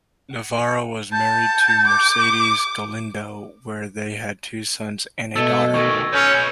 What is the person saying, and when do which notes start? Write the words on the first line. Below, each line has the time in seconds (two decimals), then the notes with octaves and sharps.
Navarro was married to Mercedes Galindo, where they had two sons and a daughter.
0.31 F#5
1.12 F#5 A5 G6
1.88 D6
5.36 B2 A3 E6 G#6 A6
5.74 D#3 A3 C#6 G#6 A#6
6.13 C#4 B4 C#5 G6 C#7 D#7